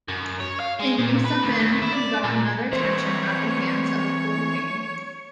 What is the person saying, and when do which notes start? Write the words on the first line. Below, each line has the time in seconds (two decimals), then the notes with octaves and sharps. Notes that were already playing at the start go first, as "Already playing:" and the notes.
In Nusaybin, he got another tension at the hands of a cruel king.
0.09 F#2
0.40 C#5
0.60 F5
0.80 G#3
0.99 A#2
1.25 B4
1.43 D2
1.59 D#2
1.82 E4
1.94 D5
2.24 A#2
2.73 E3 C4 C5 C#5